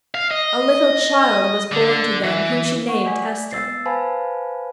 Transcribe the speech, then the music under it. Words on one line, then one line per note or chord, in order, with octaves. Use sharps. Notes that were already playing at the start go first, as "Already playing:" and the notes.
A little child was born to them whom she named Esther.
F5
D#5
D3
E3
F#5 C#6
A3 D5 G#5 B6
B3 E6 A6 C7
B4 C5 F5 G#5 A5 B5